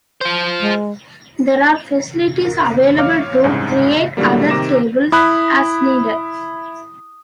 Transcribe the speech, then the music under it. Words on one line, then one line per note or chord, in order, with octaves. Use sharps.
There are facilities available to create other tables as needed.
F4 C5
G#3
A#4
C#5 F5 D6 F6
C2 G#2 C#3
A2 D3 F#3 G3 A#3
C3 D#3 A#5 D6 A#6 E7
E4 B5 D#6 F#6